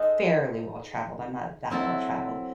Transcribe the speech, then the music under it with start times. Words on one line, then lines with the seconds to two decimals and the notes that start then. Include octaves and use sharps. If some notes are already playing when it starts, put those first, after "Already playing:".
fairly well traveled I'm not that well traveled,
Already playing: G#3 D#4 A4 C5
1.70 F#3 C4 E4 A4